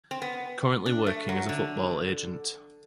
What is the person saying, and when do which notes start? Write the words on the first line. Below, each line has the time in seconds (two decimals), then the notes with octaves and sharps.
Currently working as a football agent.
0.11 C4
0.22 B3
0.86 D4
1.07 A3
1.29 F#3
1.49 D3